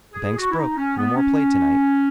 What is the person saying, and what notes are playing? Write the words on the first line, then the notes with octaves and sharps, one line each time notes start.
The bank's broke; no more play to-night.
G#4
F#4
E4
D#4
C#4
B3
C#4